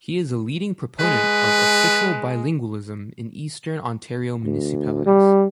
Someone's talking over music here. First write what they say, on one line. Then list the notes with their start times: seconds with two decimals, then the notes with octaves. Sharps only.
He is a leading proponent of official bilingualism in Eastern Ontario municipalities.
1.00 G#3 B4
4.44 D2
5.06 G3